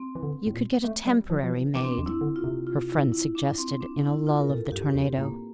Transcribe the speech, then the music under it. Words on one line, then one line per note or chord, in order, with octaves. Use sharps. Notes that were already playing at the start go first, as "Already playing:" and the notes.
'You could get a temporary maid,' her friend suggested, in a lull of the tornado.
Already playing: C4
E3
D3
A2
A#2
A3
G3
F3
F3
E3
E3 D4
C4
D4
F2
E4
D3
F4
C3
F4
E4
E4
D4
C4
D4
E4
F4
A#4
A#2 A4
G2 G4
F2 C4
A2 A#3